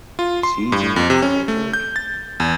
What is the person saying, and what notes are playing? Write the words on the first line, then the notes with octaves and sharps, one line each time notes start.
Season canceled.
F4
C6
G2
F2
C3
C#4
A3
G6
A6
E2